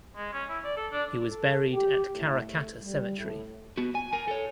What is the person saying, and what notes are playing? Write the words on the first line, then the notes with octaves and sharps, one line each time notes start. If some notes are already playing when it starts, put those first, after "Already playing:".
He was buried at Karrakatta Cemetery.
G#3
C#4
E4
D5
A4
D4
A4
G4
A2
A3
G3
A2
B3 F#4
G#5
A#4 G#5
A4 C#5